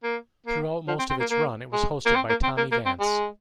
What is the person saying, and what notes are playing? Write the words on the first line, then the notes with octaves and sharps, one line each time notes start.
Throughout most of its run it was hosted by Tommy Vance.
A#3
A#3
F3
C4
C4
A#3
A#3
G#3
A#3
C4
A#3
C4
A#3
A#3
C4
G#3